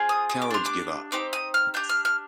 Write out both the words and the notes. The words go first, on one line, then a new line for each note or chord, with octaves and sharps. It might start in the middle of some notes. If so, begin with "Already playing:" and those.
Cowards give up.
Already playing: C4 F4 G#4
D#6
D#6
D6
D4 G4 C6
D6
C4 D#4 G4 D6
D#6
F6
D4 G4 G6
F6
F6